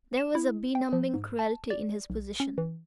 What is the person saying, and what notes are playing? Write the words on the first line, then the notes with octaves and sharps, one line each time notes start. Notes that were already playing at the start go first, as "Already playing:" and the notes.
There was a benumbing cruelty in his position.
E7
E4
G5
F3
G#2
A5
D5
B1
C#4
E3